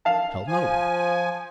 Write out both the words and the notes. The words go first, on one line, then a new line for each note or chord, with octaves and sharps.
Tell no one.
F5 A5
F3 G#5